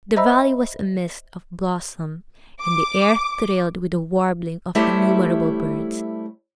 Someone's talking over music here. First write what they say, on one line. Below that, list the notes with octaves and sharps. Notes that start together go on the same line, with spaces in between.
The valley was a mist of blossom, and the air thrilled with the warbling of innumerable birds.
C5 D#5 E5 A#5 B5 E6
D6
G3 A3 E4 G4 C5 C#5